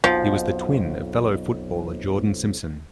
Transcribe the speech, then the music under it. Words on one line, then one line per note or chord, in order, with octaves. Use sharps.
He was the twin of fellow footballer Jordan Simpson.
B1 F2 B2 F3